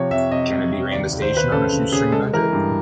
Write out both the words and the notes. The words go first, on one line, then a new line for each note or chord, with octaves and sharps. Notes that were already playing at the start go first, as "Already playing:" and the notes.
Kennedy ran the station on a shoestring budget.
Already playing: C3 F3 C#5
F2 E5
C3 D#5
F2
C3
D#2 D5
D#2
C5
D#2 B4
C#3 A4
C#3
C#3 G#4
G#3 A4
E3 A#4
G2